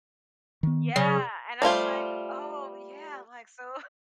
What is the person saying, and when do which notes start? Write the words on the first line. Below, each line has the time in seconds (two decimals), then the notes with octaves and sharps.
yeah, and I was like, "Oh yeah," like, "so
0.63 D#3 B3
0.96 C#3 F#3
1.62 G3 A3 F4 C5